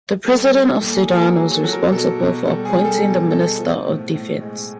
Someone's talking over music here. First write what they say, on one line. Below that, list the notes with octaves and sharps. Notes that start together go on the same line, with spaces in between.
The President of Sudan was responsible for appointing the Minister of Defence.
G3 A4
G3
A#2 A4
G#4
A#2 A4
A#4
F#3 G#4
A4
F#3
A#4
B2 A4
B2
G3 A4
G#4
G3
A4
B2
B2 A4
F3
A2
A2
G#3